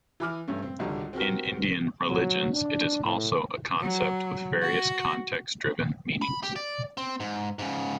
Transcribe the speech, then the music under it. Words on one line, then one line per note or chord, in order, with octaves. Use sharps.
In Indian religions, it is also a concept with various context-driven meanings.
E3 G#5 B5 D6 F6
G2 A3 C#4
C4
G#1 C#2 D3 G3 A#5
C4 F#4 G4 A#4
F#3
D4
A2
F#3
F#4
B5
G4
D5
C4
G#2
G#2 C#3